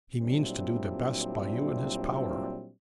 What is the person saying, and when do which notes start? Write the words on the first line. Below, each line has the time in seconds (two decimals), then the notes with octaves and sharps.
'He means to do the best by you in his power.
0.23 A#2 F#3 G3 C4 D4 E4